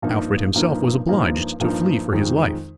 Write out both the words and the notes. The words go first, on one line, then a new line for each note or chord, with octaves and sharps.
Alfred himself was obliged to flee for his life.
G2 F3 A#3 D#4
G2 F3 A#3 D#4
G2 F3 A#3 D#4
G2 F3 A#3 D#4
F2 D#3 G#3 D#4